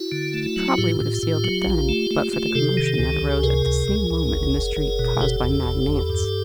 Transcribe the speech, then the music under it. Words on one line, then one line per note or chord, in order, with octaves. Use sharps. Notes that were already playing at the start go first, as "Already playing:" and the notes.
He probably would have sealed it then, but for the commotion that arose at the same moment in the street caused by Mad Nance.
Already playing: E4 F#4
D3
A3
F#3
A2 F4 G4
A2
A2
F#3
A#1
A3
A3
A3
C3 G4 A4
D#3
C#2
C#2
C3 G#4 A#4
C#2
C#2
C#2
F#1
F#1
F#1
B2
F#1 G4 A4
E2
F#1
E2
G2